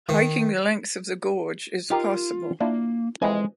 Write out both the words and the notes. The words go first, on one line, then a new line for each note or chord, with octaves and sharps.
Hiking the length of the gorge is possible.
D#3
D#4 F4 G4 A#4
A#3 D4 E4 F4
F2 E3 G#3 D#5 G#5